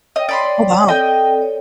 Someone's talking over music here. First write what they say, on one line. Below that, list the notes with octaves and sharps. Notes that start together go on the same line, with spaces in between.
Oh, wow.
C#5 D#5 G5
D5 B5 C6
C#5 G5
C4 A4 D5 D#5 G5
C#5